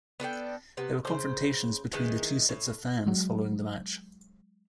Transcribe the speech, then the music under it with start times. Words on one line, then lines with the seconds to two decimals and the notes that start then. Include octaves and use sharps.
There were confrontations between the two sets of fans following the match.
0.20 B3 D4 A4 G5
0.77 C3 B3
1.05 C#3 C5
1.93 D#3 E3 G#3
2.49 A2
3.06 F#3 G#3